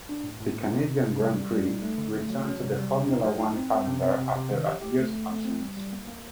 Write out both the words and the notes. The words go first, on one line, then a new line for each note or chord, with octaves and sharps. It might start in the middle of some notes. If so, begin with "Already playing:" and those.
The Canadian Grand Prix returned to the Formula One calendar after a year's absence.
D4
A2
A2
A#3
C3
C3
C3
G3
G3
G3
D#4
A3
D3
A3
F#3
F#3
C3
G3
C3
D#4
F#3
D#4
C4
C4
C3
C4
C3
C3
D#3
G4
G4
A3
A3
A3
C4
G3
G3
A#3
A#3